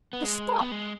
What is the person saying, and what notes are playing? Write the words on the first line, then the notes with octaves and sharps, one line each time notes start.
The spot!
B3
G#3
B3
G#3